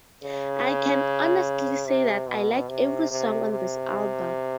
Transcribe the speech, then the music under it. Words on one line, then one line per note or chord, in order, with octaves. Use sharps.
I can honestly say that I like every song on this album.
C#3
C3
B2
C3
C3
C3